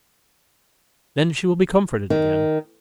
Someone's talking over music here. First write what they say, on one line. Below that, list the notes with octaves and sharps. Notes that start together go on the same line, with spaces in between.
Then she will be comforted again.
D#3